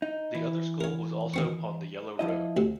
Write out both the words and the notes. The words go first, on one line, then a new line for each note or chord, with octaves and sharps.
The other school was also on the Yellow Road.
D#4
E3
A#4 C#5
D#3 C4 C#6
F3 E4 D#5
D2 C3